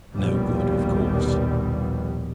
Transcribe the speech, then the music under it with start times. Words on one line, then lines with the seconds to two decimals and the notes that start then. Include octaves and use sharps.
No good, of course.
0.13 A#1 D#2 B2 G3